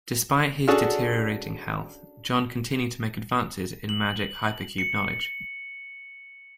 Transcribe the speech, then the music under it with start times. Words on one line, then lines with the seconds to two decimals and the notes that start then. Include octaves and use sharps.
Despite his deteriorating health, John continued to make advances in magic hypercube knowledge.
0.68 C#4 D4 F#4 G#4 A4
3.89 F#7
4.78 C#7